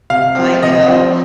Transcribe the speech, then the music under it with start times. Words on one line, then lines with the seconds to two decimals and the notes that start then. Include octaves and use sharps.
I know,
0.10 C3 F5
0.36 F3 C4
0.62 C3 D#5
0.88 F3 C4